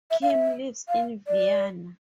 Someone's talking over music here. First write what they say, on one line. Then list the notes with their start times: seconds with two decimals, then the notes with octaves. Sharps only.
Kim lives in Vienna.
0.11 E5
0.22 F5
0.30 E5
0.89 F5
1.28 D5